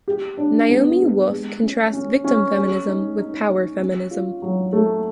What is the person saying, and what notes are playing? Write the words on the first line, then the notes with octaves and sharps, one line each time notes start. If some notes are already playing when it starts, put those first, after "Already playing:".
Naomi Wolf contrasts victim feminism with "power feminism".
G4
D4
B3
G4
G#3
C#4
C#4
C#4
G#4
D#4
D#4
D#4
C#4
F4
F#3
A3